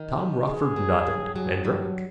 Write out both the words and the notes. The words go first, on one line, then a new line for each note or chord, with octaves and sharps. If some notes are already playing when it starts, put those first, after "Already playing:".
Tom Rochford nodded and drank.
Already playing: D#3
B3
G2 G#4
F#3
G2
F#3 G#4
G2 G4